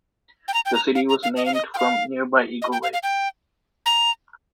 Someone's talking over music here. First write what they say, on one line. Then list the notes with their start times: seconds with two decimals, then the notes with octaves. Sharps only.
The city was named from nearby Eagle Lake.
0.48 G5
0.54 A#5
0.66 G5
0.75 A#5
0.95 F5
1.09 A#5
1.23 F5
1.37 D#5
1.46 F5
1.54 D#5
1.74 G5
1.78 F5
2.62 D#5
2.73 G5
2.83 F5
2.93 F5
3.03 G5
3.86 A#5